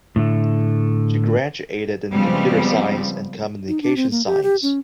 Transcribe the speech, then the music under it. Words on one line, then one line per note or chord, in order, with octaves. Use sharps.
She graduated in computer science and communication science.
A2 D3 A3
C#3 F3 G3 G#3 B3 C4
D#4
D4
C4
A#3
G4
G4
C#4